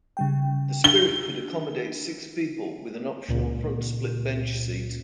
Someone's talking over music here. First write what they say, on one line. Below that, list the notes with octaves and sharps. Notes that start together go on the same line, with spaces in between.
The Spirit could accommodate six people with an optional front split-bench seat.
C#3 G3 G5
D4 G7
C#2 A#2